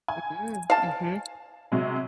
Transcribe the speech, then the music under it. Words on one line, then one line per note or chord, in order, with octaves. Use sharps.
Mhm, mhm.
G#5
F5 A5
C3 F#3 G#3